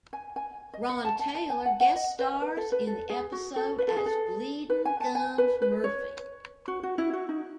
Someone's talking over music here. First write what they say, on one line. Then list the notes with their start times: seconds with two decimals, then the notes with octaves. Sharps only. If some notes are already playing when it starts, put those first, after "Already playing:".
Ron Taylor guest stars in the episode as Bleeding Gums Murphy.
0.13 G#5
0.36 G#5
0.74 D#5
0.89 F#5
1.05 A5
1.19 A5
1.35 A5
1.50 G#5
1.66 F#5
1.80 F#5
1.96 D#5
2.19 B4
2.42 B4
2.57 A4
2.72 B4
2.87 A4
3.10 G#4
3.32 F#4
3.56 A4
3.78 B4
3.88 A4
3.97 G#4
4.06 A4
4.70 B4
4.85 G#5
5.00 A5
5.15 G#5
5.38 B4
5.62 B4
5.84 C#5
6.68 F#4
6.83 F#4
6.98 E4
7.13 F#4
7.29 D#4